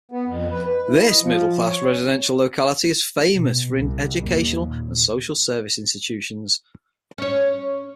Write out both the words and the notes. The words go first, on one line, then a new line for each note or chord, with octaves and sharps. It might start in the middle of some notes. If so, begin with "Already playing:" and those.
This middle class residential locality is famous for educational and social service institutions.
B3
F2
B4
B4
E4
D#5
F3
C#5
C#4
B2
C2
D#2
A#2
C#4 C#5